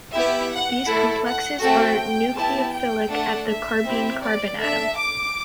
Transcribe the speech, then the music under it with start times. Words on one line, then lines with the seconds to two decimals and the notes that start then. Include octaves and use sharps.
These complexes are nucleophilic at the carbene carbon atom.
0.15 B3 E4 G4 E5
0.52 F#5
0.88 A3 E4 A4
1.26 F#5
1.63 A3 C4 F#4 A4 G5
2.37 B3 E4 G4 A5
2.74 G5
3.11 A3 D4 A4 F#5
3.48 E5
3.85 C4 E4 G4
4.23 D5
4.59 D4 A4 E5
4.97 D6